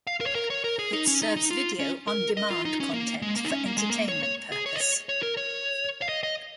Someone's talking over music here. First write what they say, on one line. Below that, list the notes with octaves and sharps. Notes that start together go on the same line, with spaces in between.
It serves video on demand content for entertainment purpose.
F5
A#4
C#5
A#4
C#5
A#4
G#4
D#4
C#4
D#4
D#4
F4
C#4
A#4
D#5
F4
D#4
C#4
A#3
G#3
A#3
D#4
C#4
A#3
G#3
A#3
C#5
C#5
G#4
C#5
D#5
C#5
C#5
A#4
C#5
F5
D#5
D#5